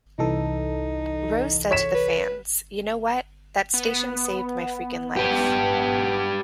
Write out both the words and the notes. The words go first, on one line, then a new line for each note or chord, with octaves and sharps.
Rose said to the fans, You know what?!, that station saved my freakin' life.
C2 E3 D#4 A4
C#5 B6 E7
B4
B3
G4 B4